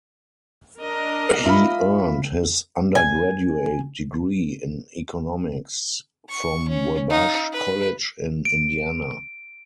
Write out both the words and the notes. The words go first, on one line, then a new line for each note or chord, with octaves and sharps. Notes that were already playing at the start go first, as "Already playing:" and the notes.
He earned his undergraduate degree in Economics, from Wabash College in Indiana.
D4 A#4 D#5
F4 E5 B5
G#5
C#6
C#4
D#4 F5
B4
D7